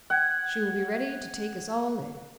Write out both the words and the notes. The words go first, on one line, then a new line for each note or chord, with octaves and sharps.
She will be ready to take us all in.
F#5 G5 G#6